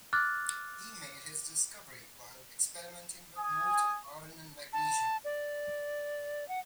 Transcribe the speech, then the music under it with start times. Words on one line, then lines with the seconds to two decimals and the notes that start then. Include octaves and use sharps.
He made his discovery while experimenting with molten iron and magnesium.
0.13 D6 F6 F#6 A6
3.38 G#5 D#6
4.73 A5
5.25 D5
6.48 F#5